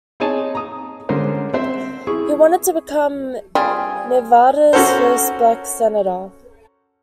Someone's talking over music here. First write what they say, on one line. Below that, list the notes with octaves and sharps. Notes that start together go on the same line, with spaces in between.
He wanted to become Nevada's first black Senator.
C4 D#4 G#4 C#5 G#5 A5
A#5 D#6
D3 G#3 C#4 D4 A#4 C5
C4 C5 E5
E4 G#4 C#6
G3 C4 F4 G#4
C#4 F#4 A4 A#4 C5